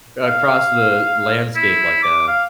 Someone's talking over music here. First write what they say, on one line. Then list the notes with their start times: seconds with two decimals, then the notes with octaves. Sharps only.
across the landscape like a
0.25 F5
1.55 E4
2.03 D6
2.27 F5